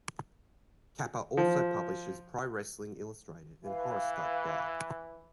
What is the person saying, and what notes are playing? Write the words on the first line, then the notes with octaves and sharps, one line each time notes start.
Kappa also publishes "Pro Wrestling Illustrated" and "Horoscope Guide".
F3
E3 B4 F5